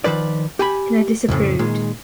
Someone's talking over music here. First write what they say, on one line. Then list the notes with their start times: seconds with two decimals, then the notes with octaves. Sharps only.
And I disapproved.
0.04 D#3 F3 B4 D5
0.59 G4 G#5 B5
1.29 C2 F2 A2 C#3
1.59 A#2 D#3 G#3